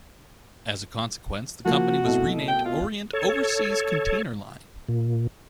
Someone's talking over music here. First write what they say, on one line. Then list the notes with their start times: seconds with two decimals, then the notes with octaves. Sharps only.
As a consequence the company was renamed Orient Overseas Container Line.
1.66 F3 A#3 F#4
2.04 C2 B2 A3
2.48 G5
2.65 F4
3.13 A4 C#5
4.88 A#2